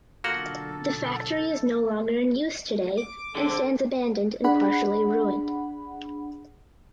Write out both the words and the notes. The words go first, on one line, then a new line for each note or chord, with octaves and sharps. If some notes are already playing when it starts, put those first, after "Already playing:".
The factory is no longer in use today and stands abandoned and partially ruined.
B1 D3 A#3 F4 F#4 A4 F#5 A#5
D6
D3 G#3 A4
C4
D4 G#4 F#5 B5